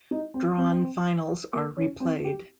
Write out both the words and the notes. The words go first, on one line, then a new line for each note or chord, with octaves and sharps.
Drawn finals are replayed.
D#4
C4
C4
A#3
C#4
C4
G4